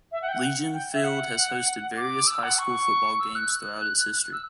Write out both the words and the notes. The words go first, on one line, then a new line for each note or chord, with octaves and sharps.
Legion Field has hosted various high school football games throughout its history.
E5
F#5
G5
F#5
G5
E5
F#5
D6
E6
F#5
C#6
E6
F#6
F#6
F#6
E6